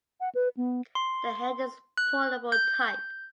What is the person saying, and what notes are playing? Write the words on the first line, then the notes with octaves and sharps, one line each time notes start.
The head is portable type.
F#5
B4
B3
C6
F#6
G6